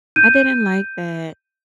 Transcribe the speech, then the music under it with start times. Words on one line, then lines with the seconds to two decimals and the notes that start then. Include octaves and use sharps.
I didn't like that.
0.16 G6 D#7